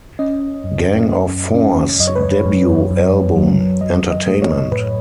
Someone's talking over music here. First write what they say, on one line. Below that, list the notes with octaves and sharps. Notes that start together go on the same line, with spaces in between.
Gang of Four's debut album Entertainment!
C#4 D#5
F#2
F#2
C#4
F#2 D#5
C#5
B4
C#5
F#2
F#2
F#3
F#3 D#5
D#5
A3
C#5
A2 B4